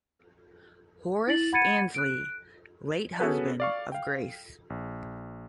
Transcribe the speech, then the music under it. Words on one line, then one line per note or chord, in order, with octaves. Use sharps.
Horace Ansley: Late husband of Grace.
E4 A6 F#7
F#5 B5 G#6 A6 C#7 D#7
F#6 D7
B3 C#4 F#4 G#4 A4 B4
D5 F5 C#6
F5 G5
A#1